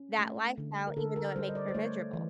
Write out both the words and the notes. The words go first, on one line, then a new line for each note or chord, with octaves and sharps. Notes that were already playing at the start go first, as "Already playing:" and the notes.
that lifestyle, even though it makes her miserable.
Already playing: C#4
A3
D3
A#4
D3 A4
A#4
G3 C5
D#5
D5
C5
A3 C#5
E3